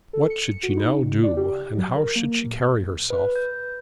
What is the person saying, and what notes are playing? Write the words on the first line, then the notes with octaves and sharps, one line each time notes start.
What should she now do, and how should she carry herself?
A4
C#7
F#4
D#4
C#3
D5
G4
F#3
A#4
A#3
A#2
B4
G6